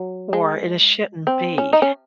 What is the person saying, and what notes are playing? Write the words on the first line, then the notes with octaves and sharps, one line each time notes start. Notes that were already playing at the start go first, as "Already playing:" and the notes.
or it, uh, shouldn't be.
Already playing: F#3
G#3
C4
C#4
D#4
C#4